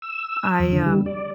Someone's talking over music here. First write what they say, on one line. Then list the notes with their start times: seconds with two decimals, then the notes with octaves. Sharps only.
I, um
0.02 E6
0.60 E2
0.72 D3
0.86 G3
1.06 D5